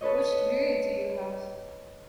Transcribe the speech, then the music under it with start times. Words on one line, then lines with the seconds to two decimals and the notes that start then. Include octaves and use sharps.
Which degree do you have?
0.01 A4 B4 C#5 D#5